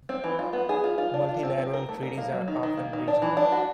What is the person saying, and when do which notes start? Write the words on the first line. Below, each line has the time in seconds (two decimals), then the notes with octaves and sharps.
Multilateral treaties are often regional.
0.09 C4
0.24 E3
0.39 F4
0.53 B3
0.69 G#4
0.84 F4
0.98 F4
1.14 D4
1.29 F4
1.43 C4
1.58 C4
1.73 A#4
1.89 A3
2.03 A#4
2.18 A#3
2.32 F#3
2.48 D#3
2.63 D#3
2.77 A#3
2.93 D#3
3.08 D4
3.22 E3
3.37 D4
3.52 F#4